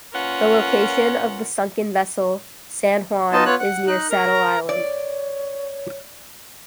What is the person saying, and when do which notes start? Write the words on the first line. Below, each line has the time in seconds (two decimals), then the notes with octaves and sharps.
The location of the sunken vessel "San Juan" is near Saddle Island.
0.13 A#2 C#4 F4 A#4 B4 F#5
3.32 B3 D#4 F4 D#5 A5
3.46 B3 F4 C#5 F#6
3.59 F#5
3.87 D#4 F#6
4.10 A#4 A#5
4.69 C#5 D5